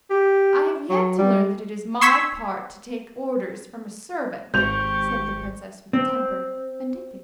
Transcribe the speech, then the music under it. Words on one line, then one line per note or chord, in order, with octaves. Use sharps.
"I have yet to learn that it is my part to take orders from a servant," said the princess with temper and dignity.
G4
F#3
G3
C6 C#6 E6 G#6 B6
G#1 G4 C5 C#6 G6 F7
C4